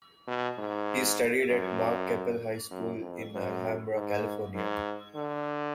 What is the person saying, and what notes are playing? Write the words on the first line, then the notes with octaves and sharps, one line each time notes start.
He studied at Mark Keppel High School in Alhambra, California.
B2
G#2
F#2
F#2
F2
F#2
G#2
G#2
D3